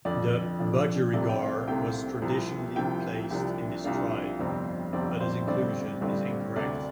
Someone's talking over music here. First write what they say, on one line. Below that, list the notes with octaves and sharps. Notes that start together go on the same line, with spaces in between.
The budgerigar was traditionally placed in this tribe, but this inclusion is incorrect.
F2 D3 F3 D4 D5
F2 D3 F3 D4
C2 C3 A3 C4 D5
G5
F5
C2 C3 A3 C4 G5
C2 C3 F3
C2 C3 F3 G5
C2 C3 F3 D4
C2 C3 F3 D4 F5
G1 F2 C3 G3 C4
G1 F2 C3 G3 C4 D5
C5
A1 G2 D3 G3 C4 D5
A1 G2 D3 G3 C4
D2 C3 A3 D5